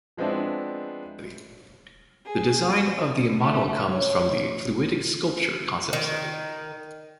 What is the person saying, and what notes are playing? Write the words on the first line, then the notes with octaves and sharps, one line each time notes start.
The design of the model comes from the Fluidic Sculpture concept study.
F3 G#3 B3 C4 D4 E4
G#4
D5
A3
C#5
D#3